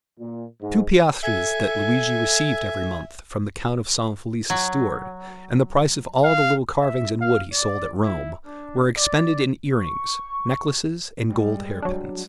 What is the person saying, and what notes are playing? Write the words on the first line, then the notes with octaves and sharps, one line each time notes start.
The two piastres that Luigi received every month from the Count of San-Felice's steward, and the price of all the little carvings in wood he sold at Rome, were expended in ear-rings, necklaces, and gold hairpins.
A#2
G#2
A4 E5 G#5
F#3
F5
E5
F5
D5
E4
D4
D5
C#6
G3 G#3
F#3 D4